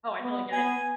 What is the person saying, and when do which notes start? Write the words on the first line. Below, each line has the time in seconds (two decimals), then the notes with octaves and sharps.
Oh, I totally get it.
0.21 B3
0.52 B3 G#5